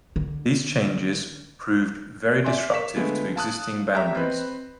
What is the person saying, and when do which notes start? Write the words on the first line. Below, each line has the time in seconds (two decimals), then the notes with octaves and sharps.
These changes proved very disruptive to existing boundaries.
0.16 D3
2.44 D5 E5 G#5 C6
2.71 A#4 F5 C#6 B6 E7
2.96 D3 G#3 A3 B3 F4
3.36 F5 A5 D#6 F#6
3.94 G4 E5 A#5
4.15 C4 B4 D#5